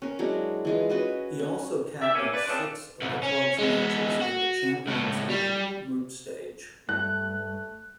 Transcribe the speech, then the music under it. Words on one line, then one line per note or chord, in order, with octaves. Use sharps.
He also captained six of the club's matches in the Champions League group stage.
C#4 A#4
F#3 G#3 D4 E4
E3 G#3 F4
C#4 F#4 B4 D#5
C#4
G4 D5 E5
C3 A#3 C#4
B4 D5
C#3 F3 A3 C4 D4
C2 G#2
C#4
G#3 B3
F#4
C#2 A2
G3
G2 A3 F#6